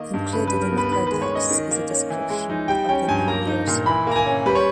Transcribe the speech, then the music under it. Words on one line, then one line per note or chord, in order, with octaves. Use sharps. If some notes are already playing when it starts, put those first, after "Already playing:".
Included in the codex is a description of the New Year ceremony.
Already playing: D#3 A#3 D#5
G2
C#3 B4
B4
G3
A#4
B3
B4
D#3 B4
G#3 B4
C#5
C#4 D#5
D#3
A#3
C#4
E3
G#3
D#4
G3 G5
C#4 G5
G2 G#5
A#3 A#5
D#4
A#2
E3 B5
A#3 A#5
G#5
C#4
G3 B4
C#5